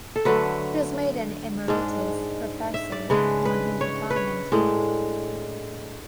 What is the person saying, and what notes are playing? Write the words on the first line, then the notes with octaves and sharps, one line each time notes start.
He was made an emeritus professor on his retirement.
A4
D3 F#3 A3 B4
G#2 G#3 D4
E5
D5
C#3 G#3 D4 B4
B4
C#5
B4
C#5
A2 G#3 D4